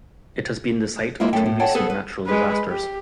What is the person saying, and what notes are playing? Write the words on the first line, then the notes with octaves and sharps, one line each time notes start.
It has been the site of two recent natural disasters.
G#3 A#3 E4 F4
F#2 A3 A4 G5
A2
A4 C#5 D5 F#5 G5 A5
B3 G#4 A4 B4 C5
B4
G#3 B4
G4